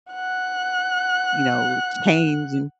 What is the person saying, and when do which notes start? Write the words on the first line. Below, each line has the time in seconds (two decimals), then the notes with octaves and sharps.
you know, change, and
0.11 F#5 F#6